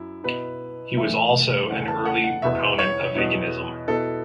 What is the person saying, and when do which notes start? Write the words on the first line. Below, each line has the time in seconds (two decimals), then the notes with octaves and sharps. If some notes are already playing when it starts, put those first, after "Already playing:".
He was also an early proponent of veganism.
Already playing: F#2 E4
0.23 B2 B3 E4 B4
0.97 A2 E3 A3 E5
1.70 E2 C#3 A3 C#4 E4 F#5
1.88 A5
2.05 F#5
2.24 F#5
2.42 E2 B2 B3 E4 E5
2.79 C#5
3.15 E2 B2 B3 E4
3.88 B2 B3 E4 A4